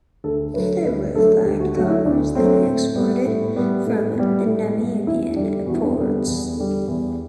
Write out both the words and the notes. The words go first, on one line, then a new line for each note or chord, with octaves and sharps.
The refined copper is then exported from Namibian ports.
D2 A4
D3 F#3 A3 B4
D2 B4
D3 F#3 A3 A4
D2 G4
F#4
D3 F#3 A3 F#4
E4
D2 D4
D3 F#3 A3 C4
A2
G3 B3
A2
G3 B3
A2
G3 B3
A2
G3 B3
E2 E4
D3 G3 D4
E2 F#4
E4
D4
C4
D3 G3 B3
E2
D3 G3
E2